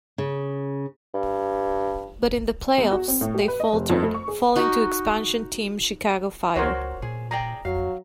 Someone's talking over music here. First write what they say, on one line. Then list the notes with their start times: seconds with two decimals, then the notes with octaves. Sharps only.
But in the playoffs they faltered, falling to expansion team Chicago Fire.
0.18 C#3
1.14 G2
2.78 E2
2.91 F#4
3.08 C4
3.21 A2
3.34 G4
3.48 B4
3.60 D#5
3.73 F1
3.90 F2
4.03 A3
4.14 C#6
4.28 G#4
4.56 D#4 F#4
6.56 C#2 F#4 A#4 C5 C#5
7.02 A#2 G#4
7.31 G#4 D5 G5 A#5
7.65 F2 F#3 F5